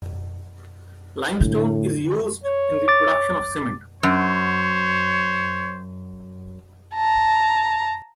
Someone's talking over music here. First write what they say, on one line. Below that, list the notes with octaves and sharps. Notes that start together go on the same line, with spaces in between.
Limestone is used in the production of cement.
A2 D3
C#5
D6 A6
F#2 C5 C#5
A5 A#5